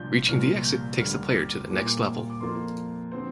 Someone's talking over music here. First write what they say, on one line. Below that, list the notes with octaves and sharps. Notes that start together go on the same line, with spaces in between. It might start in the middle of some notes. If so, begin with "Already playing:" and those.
Reaching the exit takes the player to the next level.
Already playing: C2 A#2 F3 D4 F4 G6
C2 A#2 F3 A#3 F4 F6
G6
D2 D3 G3 A#3 F6
D6
A#2 G3 A#3 F4 D6
D6
F2 F3 A#3 F4 C6
D3 F3 C4 C5